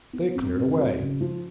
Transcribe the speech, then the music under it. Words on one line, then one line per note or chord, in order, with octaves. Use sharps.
They cleared away.
B3
F2
F2
F#3
C#3
F3